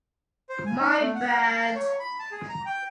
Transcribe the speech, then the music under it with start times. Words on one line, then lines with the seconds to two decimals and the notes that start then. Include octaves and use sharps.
My bad!
0.49 C5
0.66 G#5
0.79 D#4
1.00 A3
1.15 F#5
1.41 A5
1.75 C#5
2.00 B5
2.20 A5
2.32 G#4
2.49 A#5
2.66 G5